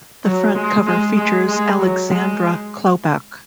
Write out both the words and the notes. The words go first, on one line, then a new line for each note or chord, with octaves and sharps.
The front cover features Alexandra Klobouk.
F#3
G#3
G#3
G#3
G#3
F#3
G#3